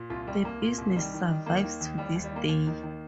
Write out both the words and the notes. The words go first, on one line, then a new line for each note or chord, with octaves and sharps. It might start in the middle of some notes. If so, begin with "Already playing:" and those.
The business survives to this day.
Already playing: A#2
C2 F4
C2 G3
C2 A#3
A#2
C2
D#3 G3
D#3
D#3
D#2 A#3
D#3
D#2
D#2 G3
D#2
G3
D#3 A#3
D#2
D#3
D#3